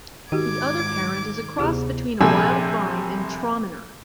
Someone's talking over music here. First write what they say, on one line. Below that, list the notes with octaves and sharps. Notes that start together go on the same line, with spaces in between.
The other parent is a cross between a wild vine and Traminer.
G#2 D#3 F#4 G4 D6 G#6
D2 C3 B3 E4 G4 G#4
A#1 C3 A4 G#5 E6